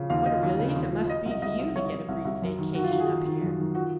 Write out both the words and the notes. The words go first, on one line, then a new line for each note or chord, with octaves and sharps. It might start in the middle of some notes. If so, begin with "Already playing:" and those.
What a relief it must be to you to get a brief vacation up here.
Already playing: C#3 F3
D#2 F5
F3 D#5
D#2
C#3
D#2
F3
F3 D#5
C2
D#5
C2 D#5
C2
C2 C#5
C2
C2
C2
F#2
D#3
D#3 F#4
F4
D#3 F#4
G#4
D#3
D#3
F#2
D#3
F3 F#4